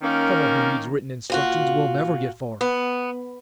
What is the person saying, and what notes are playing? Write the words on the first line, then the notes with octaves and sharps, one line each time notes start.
Someone who needs written instructions will never get far.
D#3 A#3 C#4
A#2 F4 F#4
B3